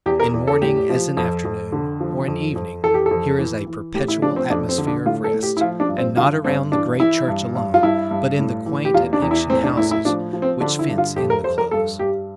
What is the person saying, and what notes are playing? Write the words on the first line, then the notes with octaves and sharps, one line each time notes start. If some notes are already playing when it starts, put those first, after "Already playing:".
In morning, as in afternoon, or in evening, here is a perpetual atmosphere of rest; and not around the great church alone, but in the quaint and ancient houses which fence in the Close.
E2 G4
A#4
E2
A4
A2 G4
F3
F2
F2
D3
F3
F2
F2
E3 A4
G4
F2 A4
E3
E3
A2 G4
E4
F3 D4
C4
F2 D4
C4
D3
D4
A2 F4
A4
A2
G4
E4
F3 F4
D4
G2
C4
D3 F4
G2 C4
E3 D4
E3 E4
G2
G2
F4
G2 E4
G2
A2
E3
G4
E2 F4
D4
E2
E4
A2 C4
D4
A2 E4
E4
F3 D4
F3
C4
D3 D4
E4
G2
F4
F2 G4
A#4
F2 C5
A#4
G2 A4
G2 G4